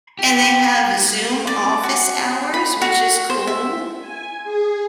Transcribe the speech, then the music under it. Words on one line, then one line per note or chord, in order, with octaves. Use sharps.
And they have Zoom office hours, which is cool.
G4
D5
F#4
B5
F#4
C5
E5
G#5
G#4